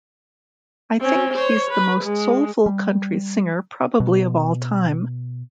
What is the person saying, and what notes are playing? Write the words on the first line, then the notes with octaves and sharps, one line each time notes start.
I think he's the most soulful country singer probably of all time.
C4 C#4
C5 C#5
B4
G#3
G3
B2